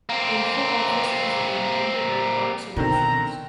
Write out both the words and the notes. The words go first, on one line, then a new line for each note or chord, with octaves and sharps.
InfoOffice is renamed RedDot Solutions.
A#3 C4
B2 D3 D#3 C4 A#5